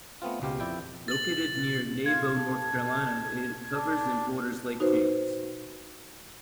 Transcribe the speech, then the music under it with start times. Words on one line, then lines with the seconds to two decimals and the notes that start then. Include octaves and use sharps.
Located near Nebo, North Carolina, it covers and borders Lake James.
0.22 A3 B3 C4 F4
0.42 C#2 B2 G4 F5
0.60 F2 E4 D5 G5
1.08 A6 F#7
2.06 F4 G#6
2.38 A4
3.75 D4
4.80 D#4 F#4 B4 C5